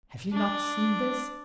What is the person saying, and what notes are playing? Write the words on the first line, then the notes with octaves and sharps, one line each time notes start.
Have you not seen this?
D4